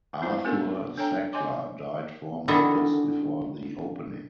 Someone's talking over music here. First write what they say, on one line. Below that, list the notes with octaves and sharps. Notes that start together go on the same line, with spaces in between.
Arthur Sackler died four months before the opening.
A3 C4 E4 F4 C5
B3 C#4 D4 F#4 A4 A#4
D4 A4 C#5 G5 A#5
C#5 D#5 G#5 C6 D6
D3 D#3 E4 F#4 G#4 A4